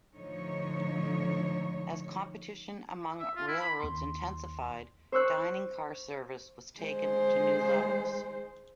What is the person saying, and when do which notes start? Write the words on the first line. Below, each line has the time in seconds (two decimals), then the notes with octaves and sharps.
As competition among railroads intensified, dining car service was taken to new levels.
0.15 A2 D3 F3 D#4 C#5
3.20 E5
3.36 F4
3.48 E4
3.60 B5
3.80 D#2 C6
5.12 C5 C#6 E6 F#6
6.80 G#3 C5